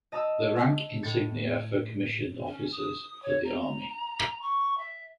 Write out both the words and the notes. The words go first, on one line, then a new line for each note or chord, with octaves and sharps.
The rank insignia for commissioned officers for the army.
D#5 A5 A#5 D#6 E6
A2 A6 C#7
C#4
D#6
C#5
A#5
C#6
E5